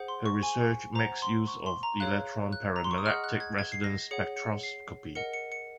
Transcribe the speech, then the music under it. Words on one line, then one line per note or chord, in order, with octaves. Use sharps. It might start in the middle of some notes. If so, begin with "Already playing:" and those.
Her research makes use of electron paramagnetic resonance spectroscopy.
Already playing: G#4 C5 F#5
C6
C#6
G#5
C5 F#5 A#5
C6
C#6
C6
A#5
G#4 C#5 F5 F#6
F#6
A#5
C6
C#6
D#6
G#4 D#5 F#5 F6
F#6
G#6
G#6
C7
A#6
G#4 C#5 F#5 C#7
C#7
C7
A#4 D#5 F#5 C#7
C#7
C#7